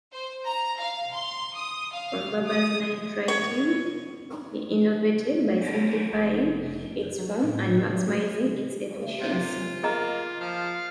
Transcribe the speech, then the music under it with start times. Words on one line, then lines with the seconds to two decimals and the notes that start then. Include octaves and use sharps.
From Barbier's night writing, he innovated by simplifying its form and maximizing its efficiency.
0.12 C5
0.45 A#5
0.79 F5
1.12 C6
1.54 D#6
1.92 F5
2.46 D#6
3.28 C#5
6.13 F1
7.18 F#3
7.43 A2
7.92 F#3
9.20 C3 F4
9.83 A#3 G#4 D#5 A#5
10.40 F3 F5 F6